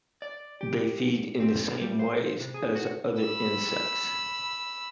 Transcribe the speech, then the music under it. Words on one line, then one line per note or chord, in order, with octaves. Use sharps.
They feed in the same ways as other insects.
D5
G4
C4
G3
C5
C3
G#4
F#4
B5 E6